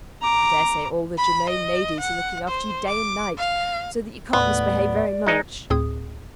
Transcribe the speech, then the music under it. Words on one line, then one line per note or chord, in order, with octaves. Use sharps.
I daresay all the Germain ladies are looking after you day and night, so that you can't misbehave very much.
A#5 D6
B5
D#5
F#5
C5
D6
F5
D#2 A2 B3 D5
G#3 D#4
D2 A2 C4 G#4 D#6